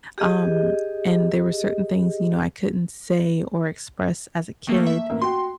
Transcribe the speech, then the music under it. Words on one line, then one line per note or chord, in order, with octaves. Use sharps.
um, and there were certain things, you know, I couldn't say or express as a kid,
G4 G#4 D#5
D#3 A3 A#3
E5
A1 A#3 E5
F#4 G5 C6